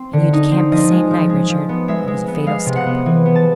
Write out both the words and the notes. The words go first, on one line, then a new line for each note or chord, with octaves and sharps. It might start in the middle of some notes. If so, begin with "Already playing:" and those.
"And you decamped the same night, Richard; it was a fatal step."
Already playing: C4
D3
D#4
C4
F3 D#5
G#3
F3
G#3
F3
B3
G#3 E5
G#3
B3
G#3 F5
C3
F#5
B3
E3
B3
A5